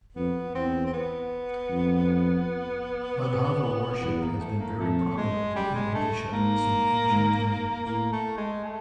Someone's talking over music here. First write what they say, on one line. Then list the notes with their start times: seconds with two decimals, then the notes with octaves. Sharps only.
Madhava worship has been very prominent in Odisha since ancient times.
0.16 F2 B3
0.55 E2 C4
0.86 C4
0.93 B3
1.70 F2
4.02 E2 B3
4.21 A#3
4.40 A3
4.59 A#3
4.79 F2 A3
5.17 G#3
5.55 F#2 G3
5.75 G#3
5.94 G2 A3
6.32 G#2 A#3
7.10 G#2
7.86 A2 A#3
8.12 A3
8.37 G#3
8.64 A3